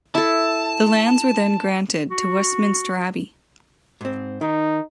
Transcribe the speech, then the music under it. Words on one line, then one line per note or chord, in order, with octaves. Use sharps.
The lands were then granted to Westminster Abbey.
E4 A4 A5
F#4
G#2 C4
D#3 D#4